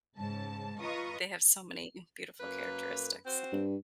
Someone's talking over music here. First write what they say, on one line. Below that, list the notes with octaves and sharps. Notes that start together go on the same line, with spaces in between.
they have so many beautiful characteristics and
G#2 C#3 A5
F4 B4 D#5 A#5 C#6 D#6
F#2 A#3 B4
C4 F#4 C5
G2